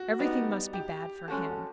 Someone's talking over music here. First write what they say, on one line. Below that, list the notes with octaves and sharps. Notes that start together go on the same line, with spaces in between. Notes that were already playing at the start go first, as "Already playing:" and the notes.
Everything must be bad for him.
Already playing: F#4
G3 B3 D#4
G4
G#3 C#4 F#4 A4